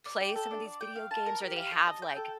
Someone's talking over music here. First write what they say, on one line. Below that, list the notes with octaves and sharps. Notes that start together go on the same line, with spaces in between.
play some of these video games, or they have, like,
D5
G5
A4
D4
D5
G5
F5
A5
A#4
G4
F5
A5
D#5
G5
A4